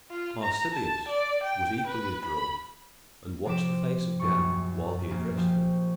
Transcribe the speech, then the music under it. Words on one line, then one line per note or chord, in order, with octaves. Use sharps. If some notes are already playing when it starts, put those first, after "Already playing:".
Marsilius was equally adroit, and watched the face of Gan while he addressed him.
F4
A#5
A5
D5
G5
B4
B5
C3 F3 C4 D6 B6 E7
A#1 F#2 G3 C#6
A#1 A#3 C#4
F3 G4